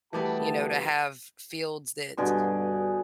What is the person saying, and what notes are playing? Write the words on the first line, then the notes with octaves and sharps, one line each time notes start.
you know, to have fields that
B2 E3 G3 A3 B3 G4 A5
G2 B2 D3 G#4